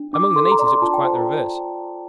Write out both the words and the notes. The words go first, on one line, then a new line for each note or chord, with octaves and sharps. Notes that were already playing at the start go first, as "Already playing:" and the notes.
Among the natives it was quite the reverse.
Already playing: D4
D4 D6
A4 C6
A#5
D5
C6
F4 A5
G5
C5 G5
A#5